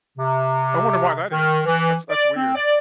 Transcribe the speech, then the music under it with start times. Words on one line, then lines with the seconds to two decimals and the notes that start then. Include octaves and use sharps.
I wonder why that is. That's that's weird.
0.18 C3
1.32 D#3
1.66 E3
2.10 D5
2.36 C4
2.55 D5